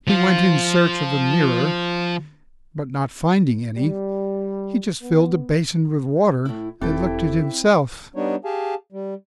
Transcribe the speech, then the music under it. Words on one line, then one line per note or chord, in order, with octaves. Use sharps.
He went in search of a mirror, but not finding any, he just filled a basin with water and looked at himself.
F3 F4
G3
B3
A2 E4
E1 C4 E4 G4 A4 G5
G3 B3 D4 D#4 C#5
G4 G#4 F5 G#5 A5
G3